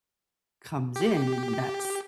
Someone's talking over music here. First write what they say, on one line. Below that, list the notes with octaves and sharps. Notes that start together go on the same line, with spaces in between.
comes in, and that's
G4